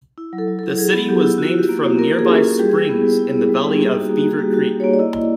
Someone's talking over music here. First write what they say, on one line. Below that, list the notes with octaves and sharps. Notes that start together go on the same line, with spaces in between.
The city was named from nearby springs in the valley of Beaver Creek.
E4
F#3
A4
F#3
E4 A4
F#3 G#4
B3 G#4
F#3 G4
E4
F4 F#4
F4 G4
A#3
A#3
A#3 A#4
A#3
G#4
C#4
A4
F4
G#4
G3 G4
G#4
E4
B3
G3
E4
E4
G3
G3
G#4
A#3 G4
D#4
F#4
A#3
F#4
A#3 G#4
G3 G4
F#4
G4
F#4
A#3 C#5
D5
E4 D#5
E4